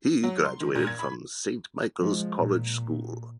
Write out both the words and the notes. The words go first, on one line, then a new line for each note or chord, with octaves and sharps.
He graduated from Saint Michael's College School.
F#3
C6
D#3
A#2
G#6
B5
F3 G#3
A#2